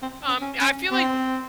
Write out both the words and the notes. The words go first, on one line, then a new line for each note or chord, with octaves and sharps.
Um, I feel, like, w
C4
C#4
C#4
C#4
C4